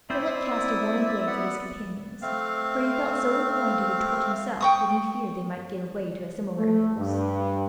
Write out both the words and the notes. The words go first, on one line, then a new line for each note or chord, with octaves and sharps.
Philip cast a warning glance at his companions, for he felt so inclined to retort, himself, that he feared they might give way to a similar impulse.
C4 E4 C5 D5 E5 G5 D#6
B3 D5 F#5
A3 C4 F5
G5 C#6 D#6
A3
G2